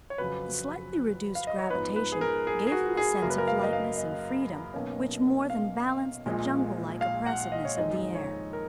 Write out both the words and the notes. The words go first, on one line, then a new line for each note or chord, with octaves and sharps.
The slightly reduced gravitation gave them a sense of lightness and freedom which more than balanced the junglelike oppressiveness of the air.
C#5
F2 C#3 F#3 B4
F5
D#5
C#5
G#2 F3 B3 D#4 B4
B4
G#4
A#4
G#4
G#4
F#4
G#4
F#2 C#3 F#3 A#3 A#4
B4
A#4
F5
D#5
F5
D#5
B1 B2 A#3 C#4
F5
A#1 A#2 G#3
F5
F#5
D#5
C#5
F2 D#3 G#3 D#4 D#5
C#5
A#4